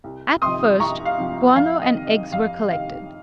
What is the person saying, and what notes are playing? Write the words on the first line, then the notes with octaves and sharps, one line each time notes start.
At first guano and eggs were collected.
C2
C3 F3 C6 D#6
C2 A#5 C#6
F5
C3 F3
F2 F5
D#5
C3 D#3
D#5
F2 F5
C3 D#3 F5